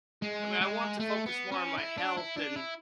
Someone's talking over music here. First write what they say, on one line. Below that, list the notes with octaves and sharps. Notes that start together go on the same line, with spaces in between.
I mean, I want to focus more on my health and
G#3
G#3
A3
B3
C#4
E4
D4
E4
D4
E4